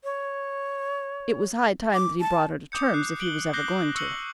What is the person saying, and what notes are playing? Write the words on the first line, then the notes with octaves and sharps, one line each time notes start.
It was high time that he brought her to terms if he was ever going to.
C#5
D6
A5
D6 D#6 G6 C#7
F#6 C7
D7 F#7 G7
D6 F#6 G6 A#6 C7 G7
C#6 E6 C#7 F#7